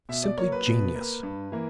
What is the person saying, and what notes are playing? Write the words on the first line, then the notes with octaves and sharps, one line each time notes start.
Simply genius!
B2 E5
D5
F#3 A#3 C#5
B4
B2
A#3
G2
E3 A#3